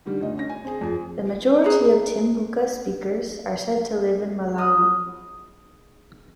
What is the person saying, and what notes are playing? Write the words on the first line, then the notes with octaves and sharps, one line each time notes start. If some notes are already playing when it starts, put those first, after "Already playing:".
The majority of Tumbuka speakers are said to live in Malawi.
D3 D#3 G3
D2 D#5
C#4 A#6
G#5
C4 G#4
F2 G#4
G#4 B4 A#5
D#5 B5 D#6 F6